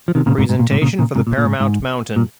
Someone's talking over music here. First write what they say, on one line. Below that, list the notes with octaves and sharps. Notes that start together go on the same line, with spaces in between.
Presentation for the Paramount mountain.
F3
C3 D#3
A#2 C#3
G#2 C3
G#2
A#2
G#2 C3
A#2 C#3
A#2 C#3
G#2 C3
A#2
A#2
G#2
G#2
A#2